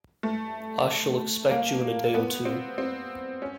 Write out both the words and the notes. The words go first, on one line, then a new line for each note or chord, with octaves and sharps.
I shall expect you in a day or two.
A3
A#3
B3
C4
C4
C#4